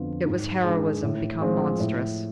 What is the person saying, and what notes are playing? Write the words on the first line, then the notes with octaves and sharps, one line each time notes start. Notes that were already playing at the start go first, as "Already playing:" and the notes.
It was heroism become monstrous.
Already playing: F2 D3 F3 B3 F4
G#2
G#3 D4
A2
F3 G#3 C4 F4
A2